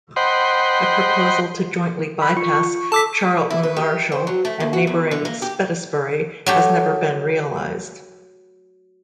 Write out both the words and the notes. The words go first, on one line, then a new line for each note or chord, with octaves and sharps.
A proposal to jointly bypass Charlton Marshall and neighbouring Spetisbury has never been realised.
C5 D#5 F#5 G5 B5 C6
B5
F4 C#6
A4 A5 D6 E6 B6
E4
B4
G4
C5
F#3
A3
D#2
F#4
E2
D3
A#3
G4
F#3 A3 G4